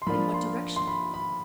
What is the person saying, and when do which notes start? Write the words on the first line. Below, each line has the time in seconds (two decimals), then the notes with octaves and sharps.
In what direction?
0.02 C6
0.07 F3 A#3 D4 F4 B5
0.34 C6
0.76 C6
0.87 B5
1.14 B5